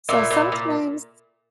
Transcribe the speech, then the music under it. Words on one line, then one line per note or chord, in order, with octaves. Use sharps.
So, sometimes
A#2 E4
A#2
A#2